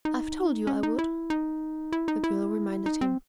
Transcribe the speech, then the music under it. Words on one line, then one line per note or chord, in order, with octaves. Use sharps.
"I've told you I would!" the girl reminded him.
D#4
C#4
D#4
E4
D#4
E4
D#4
E4
D#4
C4